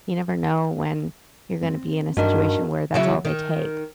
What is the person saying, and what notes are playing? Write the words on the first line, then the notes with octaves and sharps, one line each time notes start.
you never know when you're gonna be in a situation where that's all they take,
C4
G2 D4 D#4 F#4 A#4 D#5
C#3 F#3 E4
D#3